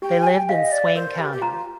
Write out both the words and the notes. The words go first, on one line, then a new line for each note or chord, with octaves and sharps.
They lived in Swain County.
G4 G5
G#5
G5
D#5 F5
D5
A#4 C5
G4
G4
F4 A#5